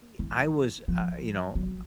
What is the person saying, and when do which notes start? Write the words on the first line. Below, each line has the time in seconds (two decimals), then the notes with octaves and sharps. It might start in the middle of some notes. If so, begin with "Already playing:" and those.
e I was, uh, you know,
0.19 E3
0.88 F3
1.55 F#3